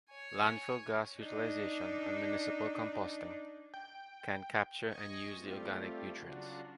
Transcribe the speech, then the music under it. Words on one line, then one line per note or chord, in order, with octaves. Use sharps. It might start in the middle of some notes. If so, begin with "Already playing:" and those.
Landfill gas utilization and municipal composting can capture and use the organic nutrients.
C#5 G#5
D4 D#4
G5
D#5 G#5 C#6
G3 A3 C4 F4 G4
C#3 F#3 D4 F4 F#4